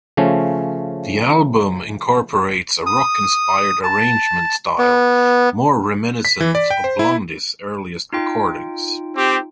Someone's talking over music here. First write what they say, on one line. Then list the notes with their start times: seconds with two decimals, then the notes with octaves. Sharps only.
The album incorporates a rock-inspired arrangement style more reminiscent of Blondie's earliest recordings.
0.17 C#3 F3 A3 C#4
2.86 D#6
3.84 A5
4.78 B3
6.25 B6
6.40 E3
6.55 D5
6.70 G5
6.84 C5
6.99 E4
8.13 D#4 F4 G5
9.17 C4 G4